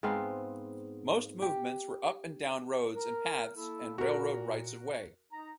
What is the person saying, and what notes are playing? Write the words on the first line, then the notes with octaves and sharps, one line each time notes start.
Most movements were up and down roads and paths and railroad rights-of-way.
G#2 B3 C4 F5
G4
A#4
A#3 E4 A4
A#2 F#4 A#4
D#4 A#5